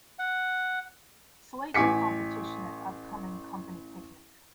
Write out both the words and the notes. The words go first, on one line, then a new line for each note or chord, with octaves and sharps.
Slate in a competition at the upcoming company picnic.
F#5
A1 G#5 D6 B6 C#7